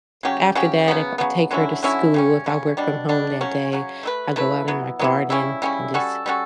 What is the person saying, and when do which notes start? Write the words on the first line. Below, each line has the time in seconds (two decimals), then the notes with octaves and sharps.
after that, if I take her to school, if I work from home that day, I go out in my garden, and just
0.23 C#3 F#3 C#4 G4
0.55 C#3 F#3 C#4 G4
0.88 C#3 F#3 B3
1.18 C#3 F#3 B3
1.51 D3 F#3 C#4 E4
1.83 D3 F#3 C#4 E4
2.14 C#3 G3 C#4
2.46 C#3 G3 C#4
2.77 B2 G3 D4
3.09 B2 G3 D4
3.41 C#3 F#3 C#4
3.72 C#3 F#3 C#4
4.03 A3 E4 B4
4.36 A3 E4 B4
4.68 F#3 B3 E4
4.99 F#3 B3 E4
5.30 C#3 G3 C#4 E4
5.62 C#3 G3 C#4 E4
5.94 G3 C#4 F#4 A4
6.26 G3 C#4 F#4 A4